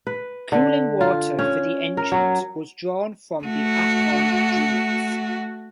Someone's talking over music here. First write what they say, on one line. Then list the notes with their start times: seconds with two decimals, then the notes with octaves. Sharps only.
Cooling water for the engines was drawn from the Afon Dulas.
0.07 B4
0.52 D3
1.01 F4
1.39 C#4
1.97 A#4
2.12 F#3
3.44 A3 F#4